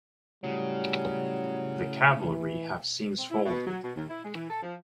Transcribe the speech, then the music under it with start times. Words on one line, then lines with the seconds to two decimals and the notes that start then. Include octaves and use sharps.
The Cavalry have since folded.
0.44 A2 C#3 F#3 G3
2.24 E3
3.18 C4
3.30 E4
3.44 B2
3.67 F#3
3.82 B2
3.96 D#2
4.09 E4
4.24 G#3
4.35 E3
4.49 A4
4.63 F3